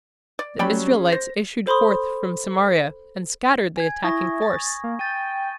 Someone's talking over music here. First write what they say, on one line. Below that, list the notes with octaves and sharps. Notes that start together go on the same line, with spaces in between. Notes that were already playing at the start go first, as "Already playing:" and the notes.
The Israelites issued forth from Samaria and scattered the attacking force.
D5
F#3 G3 C#4 D5 G5 B5
C#4 G#4
C5 A#6
A4 C5 B5 C6 D#6
G#5 G#6
E4 C#6 D#6 A#6
A6
A#3
G5 A6 D#7